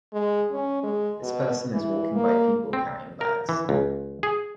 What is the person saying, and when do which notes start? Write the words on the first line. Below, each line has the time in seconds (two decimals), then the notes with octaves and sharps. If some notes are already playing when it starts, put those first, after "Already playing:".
This person is walking by people carrying bags.
0.13 G#3
0.52 C#4
0.83 G#3
1.23 B2
1.73 E3
2.15 A#3
2.73 C4
3.21 A#4
3.49 E3
3.69 C#2
4.23 G#4